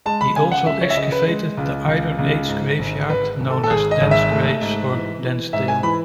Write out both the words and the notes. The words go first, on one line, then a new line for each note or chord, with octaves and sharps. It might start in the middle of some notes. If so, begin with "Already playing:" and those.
He also excavated the Iron Age graveyard known as Danes Graves, or "Danesdale".
G#3 A5
B5
C#3 G#5
F#5
C#2 E5
C#5
E5
C#3 D#5
B4
G#3
C#2
C#2
C#2
G#2
G#1
G#1 B4
G#1
A4
A4
G#1 G#4
D#5
G#1
E5
A3
G#2
E3
E3
G#2 E5
G#5
E3 B5